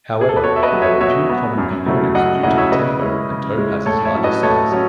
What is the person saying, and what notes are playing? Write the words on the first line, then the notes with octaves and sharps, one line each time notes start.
However, there were few common components due to the Tempo and Topaz's larger size.
G#4
A4
B4
B2 A4 C#5
E5
B4 D#5
F#3 B3
C#5 E5
B2 C#5 E5
F#3 B3
F#2
C#3 F#3 A3 E4
F#2 D#5 F#5
C#3 F#3 A3 E4 D#5 F#5
C#5 E5
C#3 B4 D#5
G#3 C#4 E4
C#3
G#3 C#4 E4
A2 A4 C#5
C#5 E5
F#3 C#4 E4
B4 D#5
A2 A4 C#5
F#3 C#4